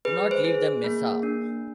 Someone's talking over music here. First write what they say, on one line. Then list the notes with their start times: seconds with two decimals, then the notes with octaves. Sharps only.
Do not leave the mesa.
0.05 G#4 B4
0.31 C5
0.45 G#4
0.84 A#3
1.23 D4